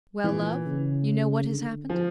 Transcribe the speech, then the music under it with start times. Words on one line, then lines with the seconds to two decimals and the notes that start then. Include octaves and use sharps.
"Well, love--you know what has happened?"
0.24 A#2 E3
0.65 C#3
1.48 D3
1.90 F3